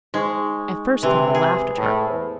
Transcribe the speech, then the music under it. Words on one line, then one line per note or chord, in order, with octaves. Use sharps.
At first they all laughed at her.
G#3 D#4 C5 C#6
C3 E3 G4 E5 C6
G#4 G#5
A2
E2 C5